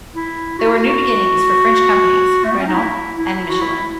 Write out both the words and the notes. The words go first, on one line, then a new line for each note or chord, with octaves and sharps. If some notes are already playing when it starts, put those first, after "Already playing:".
There were new beginnings for French companies Renault and Michelin.
E4
F#4
E4
F#4
A3
B3
C#4
D#4
E4
E4
F#4
E4